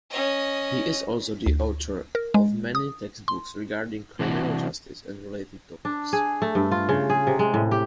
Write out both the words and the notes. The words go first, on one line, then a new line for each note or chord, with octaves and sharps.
He is also the author of many textbooks regarding criminal justice and related topics.
C#4 D#5
D2
A#4
G#3
D#6
C6
C3 E3 C4 D4 E4 F#4
D4
G#4
A3
G2
F4
C#3
G#4
C3
G#3
A2
G4